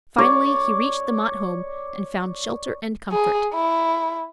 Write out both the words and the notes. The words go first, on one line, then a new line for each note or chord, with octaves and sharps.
Finally he reached the Mott home, and found shelter and comfort.
C#5 D5
G#4
E4